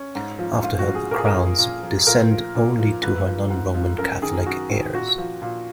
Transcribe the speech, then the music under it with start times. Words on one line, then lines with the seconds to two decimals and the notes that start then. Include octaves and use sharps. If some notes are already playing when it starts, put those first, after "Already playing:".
After her the crowns would descend only to her non-Roman Catholic heirs.
Already playing: C#4
0.15 G#2
0.39 F3
0.63 G#2 F4
0.79 F#4
0.87 F3
0.95 G#4
1.11 A#2 A#4
1.18 G#4
1.26 A#4
1.35 F3
1.59 A#2
1.83 F3
2.07 A#2 A#4
2.31 F3
2.55 A#2
2.79 F3
3.02 G#2 B4
3.26 F3
3.50 G#2
3.74 F3
3.98 F#2 A#4
4.22 D#3 G#4
4.46 F#2 F#4
4.70 D#3
4.94 A#2 F#4
5.18 F3
5.42 A#2